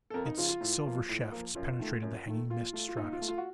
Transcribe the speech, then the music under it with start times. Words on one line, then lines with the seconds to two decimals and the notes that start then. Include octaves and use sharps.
Its silver shafts penetrated the hanging mist-stratas.
0.10 A4
0.14 F2 A#4
0.26 D#4
0.37 C#3 F3 F4
0.49 F4
0.61 A2
0.85 F3 A#3
1.09 A2
1.32 F3 A#3
1.55 F#2 F4
1.79 D#3 A3
2.03 F#2
2.27 D#3 A3
2.50 A#2 F4
2.73 A3 F4
2.89 F4
2.97 A#2 D#4
3.13 F4
3.21 A3
3.28 F4
3.38 F#4